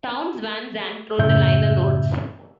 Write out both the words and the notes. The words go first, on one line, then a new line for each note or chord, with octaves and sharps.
Townes Van Zandt wrote the liner notes.
F#2 A2 C#3 E5 G6